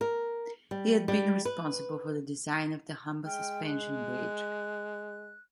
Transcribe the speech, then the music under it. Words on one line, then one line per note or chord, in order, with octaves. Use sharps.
He had been responsible for the design of the Humber Suspension Bridge.
A#4
G3
G3
B4
G#3 G5 F6
F#6